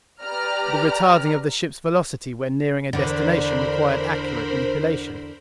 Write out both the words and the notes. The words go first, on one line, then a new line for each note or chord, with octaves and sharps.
But the retarding of the ship's velocity when nearing a destination required accurate manipulation.
G4 B4 D5 A#5 F6
E2 D3 A#4 C5 B5